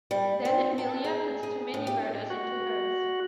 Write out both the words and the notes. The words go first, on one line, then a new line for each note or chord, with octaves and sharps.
Then Emilia puts too many murders into hers.
G3
C4
A5
G#4
G#4
A2
G4
F#4